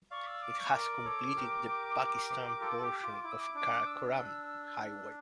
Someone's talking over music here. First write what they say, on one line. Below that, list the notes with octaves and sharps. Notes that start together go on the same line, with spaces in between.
It has completed the Pakistan portion of Karakoram Highway.
D5 F5 C#6
E6
D6
C#6
A#4 D5 D6
A4 C#5
G4 A#4
F4 A4
A4
G4
F4
E4 D6
E6
D6
D4 D6
E6